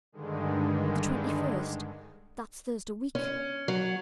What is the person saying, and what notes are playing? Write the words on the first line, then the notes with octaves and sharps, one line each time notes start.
'The twenty-first--that's Thursday week.
G2 D3 D#3 G#3
C#4
F#3